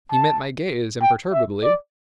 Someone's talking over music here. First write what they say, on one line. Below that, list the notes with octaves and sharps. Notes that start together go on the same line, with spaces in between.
He met my gaze imperturbably.
A5
G5
E5
D5